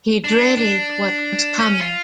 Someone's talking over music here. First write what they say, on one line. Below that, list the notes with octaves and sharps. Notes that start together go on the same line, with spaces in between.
He dreaded what was coming.
D4
D4
C#4
F4